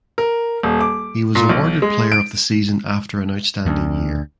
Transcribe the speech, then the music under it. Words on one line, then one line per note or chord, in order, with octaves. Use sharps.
He was awarded player of the season after an outstanding year.
A#4
D#1
D6
A#2
B1
G#3
D7
D2